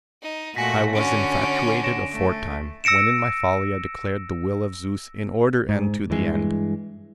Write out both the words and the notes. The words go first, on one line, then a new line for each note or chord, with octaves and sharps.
I was infatuated aforetime, when in my folly I declared the will of Zeus in order and to the end.
D#4
A#2 A3 F#4 G#5 A#6 B6
D3 C#4 F#4 D7
D7
A#6 D7 E7
A3
E6 A#6 C#7 D7 E7
G#2
G2 E3 G#3